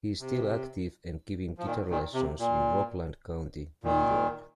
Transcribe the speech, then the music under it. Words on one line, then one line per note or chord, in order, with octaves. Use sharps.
He is still active and giving guitar lessons in Rockland County, New York.
C3
F3
A#2 D#3
A#2 D#3
C3
A#2
A#2 D#3